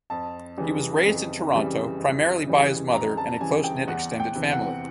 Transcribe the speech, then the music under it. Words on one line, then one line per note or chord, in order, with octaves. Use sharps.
He was raised in Toronto, primarily by his mother and a close-knit extended family.
F2 A5
C#3 E3 G3
F2
C#3 E3 G3
F2
C#3 E3 G3
F2 A#5
A5
C#3 E3 G3 G#5
G5
E2 F#5
G5
C3 E3
F#5